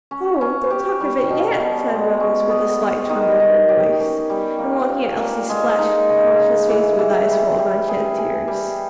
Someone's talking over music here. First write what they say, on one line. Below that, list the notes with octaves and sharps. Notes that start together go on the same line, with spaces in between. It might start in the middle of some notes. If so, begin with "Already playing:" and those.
"Oh, don't talk of it yet," said Rose, with a slight tremble in her voice, and looking at Elsie's flushed, conscious face with eyes full of unshed tears.
C#4
C#4
G4
G3
B2
B2
G#3
C#4
B3
B3
D#3
D#3
G4
C#4
G3
A#3
A#2
A#3
G#3
D#4
C#3
C#3
E3
E3
G3
G3
G#4
G#4
G3